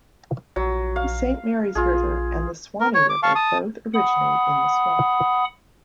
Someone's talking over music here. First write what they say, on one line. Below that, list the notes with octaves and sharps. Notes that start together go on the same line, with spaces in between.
The Saint Marys River and the Suwannee River both originate in the swamp.
A#1 F#3
F5
A#1 F4 G#4
A#4
C#5
D6
F5 A5 C#6
A5 D#6
F#5 B5 D#6